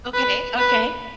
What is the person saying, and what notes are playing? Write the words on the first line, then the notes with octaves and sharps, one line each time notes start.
Okay, okay.
B4
B4